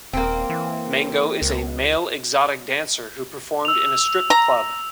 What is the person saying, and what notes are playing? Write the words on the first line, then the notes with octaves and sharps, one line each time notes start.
Mango is a male exotic dancer who performed in a strip club.
D#1 A#3 C4
E3
C#2
E6 F7
A#5